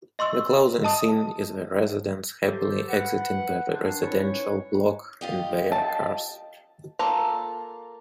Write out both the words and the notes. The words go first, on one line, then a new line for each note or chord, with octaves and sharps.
The closing scene is the residents happily exiting the residential block in their cars.
D#5 C6 C#6 E6
D#5 A5 D#6
F#3 G4 A4 C5
B4 F#5
D#3 D4 C5
C#4 D#4 E4 B4 C#5
F4 G4 D#5
A5
A#3 F4 A4 A#5